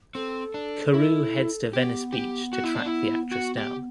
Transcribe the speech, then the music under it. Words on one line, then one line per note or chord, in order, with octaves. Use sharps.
Karoo heads to Venice Beach to track the actress down.
C4 A4
D4
E4
B3 G4
G4
F#4
E4
D4
E4
F#4
G4